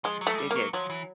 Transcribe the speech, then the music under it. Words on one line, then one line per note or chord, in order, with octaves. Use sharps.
They did.
F3 G#3
F#3
A3
G#3
G3
F#3 A#3
F3 F#3
E3